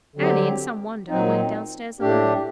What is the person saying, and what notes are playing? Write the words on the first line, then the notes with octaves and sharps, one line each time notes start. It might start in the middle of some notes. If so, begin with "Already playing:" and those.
Annie, in some wonder, went downstairs alone.
D3 F#3 C4 G4
A#2 F#3 C4 D#4
A2 A3 D4 G4